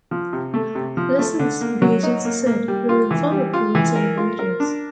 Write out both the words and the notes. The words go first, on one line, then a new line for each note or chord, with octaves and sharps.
Lessons, the agency said, will inform approvals in other areas.
F3
C3
A3
C3
F3
A3
D3
A#3
F#3
D#4
A#3
A#3
G3
F4
E3
G3
F4
E3
A#4
F4
A#4
D4